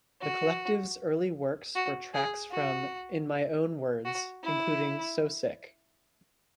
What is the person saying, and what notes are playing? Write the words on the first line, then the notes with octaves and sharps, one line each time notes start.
The collective's early works were tracks from "In My Own Words", including "So Sick".
F#4
F#4
G#4
F#4
F#4
E4